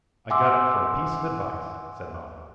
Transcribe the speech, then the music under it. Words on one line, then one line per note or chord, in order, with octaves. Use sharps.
"I got it for a piece of advice," said Babo.
E5 F#5 G#5 C6 D6 E6